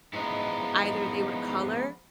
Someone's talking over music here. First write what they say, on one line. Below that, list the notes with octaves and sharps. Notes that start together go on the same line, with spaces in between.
either they would color
F3 G#3 B3 D#4 E4